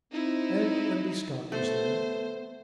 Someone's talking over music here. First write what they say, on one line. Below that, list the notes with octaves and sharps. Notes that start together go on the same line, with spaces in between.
And Undy Scott was there.
C4 D#4 E4
A3 B3 C5